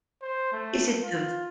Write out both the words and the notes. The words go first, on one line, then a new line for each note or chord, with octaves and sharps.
is it the v
C5
A3
F4